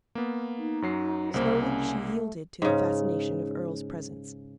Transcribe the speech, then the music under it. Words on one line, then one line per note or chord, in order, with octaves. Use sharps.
Slowly she yielded to the fascination of Earle's presence.
A#3 B3
D#4
F#2 F#3 C7
C2 C#3 A#3 C5
C#4
A3
G#2 C#3